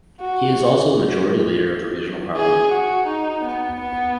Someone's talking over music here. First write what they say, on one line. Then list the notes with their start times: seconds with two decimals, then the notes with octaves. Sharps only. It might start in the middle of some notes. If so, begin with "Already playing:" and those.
He is also the Majority Leader of the regional parliament.
0.21 F#4
2.36 G#4
2.73 F#4
3.08 D#4
3.45 B3
3.81 B3